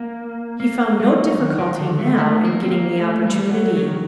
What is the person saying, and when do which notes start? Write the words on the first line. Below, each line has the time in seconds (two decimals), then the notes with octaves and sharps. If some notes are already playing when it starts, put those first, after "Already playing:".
He found no difficulty now in getting the opportunity.
Already playing: A#3
0.60 A#3
1.00 F#3
1.39 D#3
1.58 D#3
1.79 D3
1.98 A3
2.19 A3
2.44 A#3
2.63 C4
2.71 A#3
2.97 A3
3.24 G3
3.50 F#3
3.76 F#3
3.85 D#3